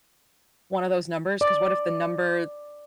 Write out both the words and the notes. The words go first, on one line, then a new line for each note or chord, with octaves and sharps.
one of those numbers, 'cause what if the number
D5